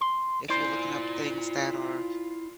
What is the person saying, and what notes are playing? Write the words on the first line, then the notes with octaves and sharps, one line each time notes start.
if you're looking up things that are
C6
E4 F4 C5 D5 C6